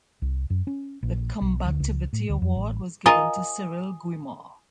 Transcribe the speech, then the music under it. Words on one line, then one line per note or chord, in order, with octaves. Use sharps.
The combativity award was given to Cyrille Guimard.
C2
F#2
C#4
A#1
B1
D2
C#2
A2
D2
F2
A1
F4 A#4 D#5 G#5 D#6